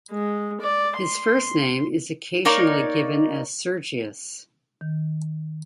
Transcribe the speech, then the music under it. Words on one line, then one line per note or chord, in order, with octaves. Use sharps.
His first name is occasionally given as "Sergius".
G#3
D5
C6
A#3 D#4 C#5 D5
D#3